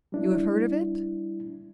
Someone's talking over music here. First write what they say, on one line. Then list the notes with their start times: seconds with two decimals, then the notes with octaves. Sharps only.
You have heard of it?
0.12 G3 D4 E4